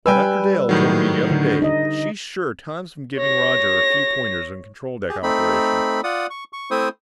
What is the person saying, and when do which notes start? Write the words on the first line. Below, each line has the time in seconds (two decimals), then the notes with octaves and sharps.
Why, Dr. Dale told me the other day that she's sure Tom's been giving Roger a few pointers on control-deck operation.
0.06 G3 B4 G5 G#5 E6
0.69 A2 D#3 F#3
1.31 D3
1.62 D#4 D#5
3.18 C#5 A#6
5.09 G4 G#4
5.23 A3 C4 D#4 B5
6.04 F4 D5 F#5 D#6
6.30 C#6
6.53 C#6
6.71 A3 C4 E4 C5 E5 D#6